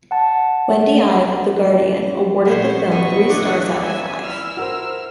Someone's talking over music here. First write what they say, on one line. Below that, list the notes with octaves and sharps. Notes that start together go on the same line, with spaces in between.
Wendy Ide of "The Guardian" awarded the film three stars out of five.
F#5 A5
A#2 F3 B3 E4 C5 C#5
F#2 A#2 B3 D#5 C#6
E3 D4 D5
E5 G#5
E4 E6 F6
F#4 A#4 C5